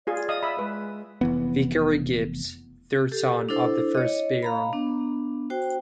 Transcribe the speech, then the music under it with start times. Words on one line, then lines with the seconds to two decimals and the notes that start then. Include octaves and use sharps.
Vicary Gibbs, third son of the first Baron.
0.07 F4 G#4 D5
0.29 D#5 F5 D#6
0.43 E5 B5
0.59 G#3 B4
1.21 F1 E3 B3
3.12 G4 A4
3.49 D4 E4 A4 C5
3.95 C#5 D#5
4.43 F5 A#5 B5
4.73 B3 D4
5.50 F#4 C5 G5